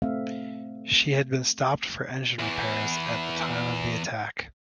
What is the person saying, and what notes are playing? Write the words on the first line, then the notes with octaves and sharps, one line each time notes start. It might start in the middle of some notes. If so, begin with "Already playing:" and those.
She had been stopped for engine repairs at the time of the attack.
A3 C4 E5 F5
E2 E3